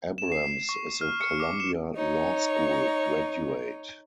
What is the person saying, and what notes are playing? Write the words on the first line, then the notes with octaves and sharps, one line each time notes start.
Abrams is a Columbia Law School graduate.
E7
C7
C#6
F6
C#7
D6
E7
D#4 C#5